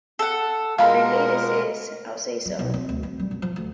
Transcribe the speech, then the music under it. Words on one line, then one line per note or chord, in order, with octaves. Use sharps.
Her latest is "I'll say so!"
A4 F#5
B2 G#3 F4 A#4 F5 A5 B5
G3
B1
C4
D2
C4
G3
F#2
F3
D2